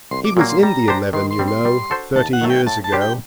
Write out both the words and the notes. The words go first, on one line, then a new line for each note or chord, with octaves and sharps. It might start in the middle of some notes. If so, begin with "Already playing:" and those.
He was in the eleven, you know, thirty years ago.
C2 C6
D6
A#2 F#3 A#3
C6
G3 A#5
D4 G4 C5
D#3 C6
C6
G3 C4
C6
G3
D4 F#4 A4 C5
D#2 A5
F#5
D#3 F#3 A3
G5
A2 A5
A5
G3 D4 G4 C5
G5